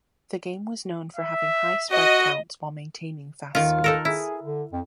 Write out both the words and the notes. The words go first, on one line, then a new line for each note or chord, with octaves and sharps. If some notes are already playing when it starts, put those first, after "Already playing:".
The game was known for having high sprite counts while maintaining fast speeds.
E5
F#4 D#5
D#2 D#3 F4 F5
D#4 A4 A#4
E4 G#4
D3
F2